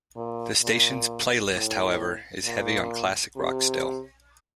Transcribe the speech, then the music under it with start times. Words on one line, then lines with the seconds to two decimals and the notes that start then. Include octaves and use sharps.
The station's playlist, however, is heavy on classic rock still.
0.16 A#2
0.62 A#2
1.53 A2
2.45 A#2
3.36 C3